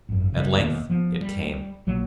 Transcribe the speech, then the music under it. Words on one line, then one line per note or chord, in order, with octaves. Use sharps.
At length it came.
G#1 F#2
C#3 G3
E1 D#2 B3
F3 B3
G3
A#1 F#3 A#3